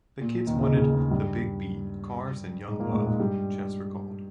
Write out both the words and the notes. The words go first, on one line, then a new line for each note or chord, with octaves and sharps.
"The kids wanted the big beat, cars and young love," Chess recalled.
A#2
D#2 D#3
C#2 C#3
C#2 C#3
D#2 D#3
G2 G3
G#2 G#3
A#2 A#3
G#2 G#3
G#2 G#3
G2 G3